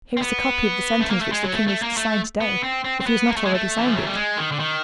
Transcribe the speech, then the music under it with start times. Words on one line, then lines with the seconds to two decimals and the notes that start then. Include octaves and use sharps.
"Here is a copy of the sentence which the king is to sign to-day, if he has not already signed it."
0.17 C4
0.22 B3
1.00 A3
1.10 A#3
1.21 A3
1.32 G#3
1.43 F#3
1.53 A3
1.68 A3
1.82 A#3
1.97 A3
2.40 B3
2.63 C4
2.84 C4
3.00 C4
3.07 B3
3.29 A#3
3.36 A3
3.45 G#3
3.54 A3
3.77 E3
3.87 F3
3.96 F#3
4.06 G3
4.15 G#3
4.37 D#3
4.52 D3
4.59 D#3